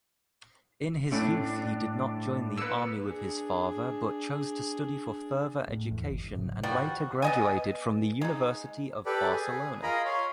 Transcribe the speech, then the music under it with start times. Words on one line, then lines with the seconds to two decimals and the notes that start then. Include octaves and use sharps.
In his youth, he did not join the army with his father, but chose to study for further education, and later graduated from the University of Barcelona.
1.12 A2 A3 C#4 D4 E4
2.57 A#3 B3 B4 E6
3.04 D4 G#4
5.68 A2
5.91 E2
6.10 G1
6.36 G#2 C3 F3 F#3
6.63 F3 G3 F#4
7.22 B3 D#5 G#5
8.21 G#3 D#4
9.06 G4 A4 B4 D5
9.31 G#4
9.83 F4 G#4 A#4 D#5 A#5 B5
10.05 C#5 F5 C6